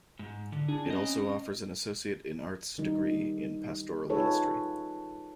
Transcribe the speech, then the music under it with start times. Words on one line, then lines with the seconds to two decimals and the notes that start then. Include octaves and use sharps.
It also offers an Associate in Arts degree in Pastoral Ministry.
0.19 G#2
0.52 D3
0.68 D4 G#4
0.86 C4 C#4 D#5
2.78 D#3 G3 D#4
4.09 D#4 F4 G#4 A4 B4 C#5